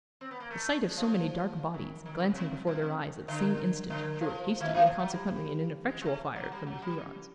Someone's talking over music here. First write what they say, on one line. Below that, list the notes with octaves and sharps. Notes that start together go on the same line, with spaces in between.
The sight of so many dark bodies, glancing before their eyes at the same instant, drew a hasty and consequently an ineffectual fire from the Hurons.
C4
B3
A#3
A3
G#3
F3
D#3
D#3
C#3
C3
B2
C3
D3
D3
F3
D#3
E3
F3
F#3
G3
G#3
G#3
A3
F#3
G3
F#3
G3
C#3